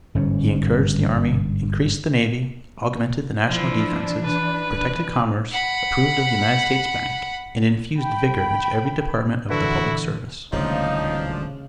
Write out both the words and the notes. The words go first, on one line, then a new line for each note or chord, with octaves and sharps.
He encouraged the army, increased the navy, augmented the national defences, protected commerce, approved of the United States Bank, and infused vigor into every department of the public service.
G1 G#2 C#4
E3 F3 D4 E4
B4
F#5 B5
G5 B5
A#2 D3 E3 E4 F#4
D#1 D2 C#3 F3 G#3 D4 D#4 F5